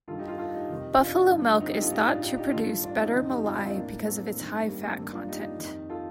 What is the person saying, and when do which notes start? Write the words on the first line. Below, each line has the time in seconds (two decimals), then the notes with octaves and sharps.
Buffalo milk is thought to produce better malai because of its high fat content.
0.08 G2 D#3 F4 A4
0.18 D#4 G4
0.28 F4 A4
0.38 F4 A4
0.54 D#4 G4
0.69 F2 C3 D#3
1.00 D4 F4
1.30 G2 D3
1.60 C4 D#4
1.71 D#4 G4
1.81 F4 A4
1.91 A2 D#4 G4
2.07 D4 F4
2.22 D#4 G4
2.37 D#4 G4
2.52 G2 D#3 F4 A4
2.83 D4 F4
2.99 C4 D#4
3.13 F2 D3 C4 D#4
3.29 D#4 G4
3.44 D4 F4
3.55 C4 D#4
3.64 D4 F4
3.75 A2 A#3 D4
4.05 A3 C4
4.37 G2 D#3
4.66 G3 A#3
4.82 A3 C4
4.97 G2 D#3 A#3 D4
5.13 D4 F4
5.28 D#4 G4
5.58 F2 D#3
5.89 F4 A4